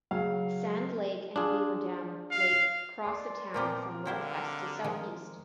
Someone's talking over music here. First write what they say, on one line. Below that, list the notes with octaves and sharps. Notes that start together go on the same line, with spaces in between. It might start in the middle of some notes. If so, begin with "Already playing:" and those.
Sand Lake and Beaver Dam Lake cross the town from northwest to southeast.
C#3 F#3 F5
D4 F4 G#4
F5
D5 C6
A#2 F3 B3 C4 A#4 D6
D3 C4 E4 C5 F5
D#3 F3 G#3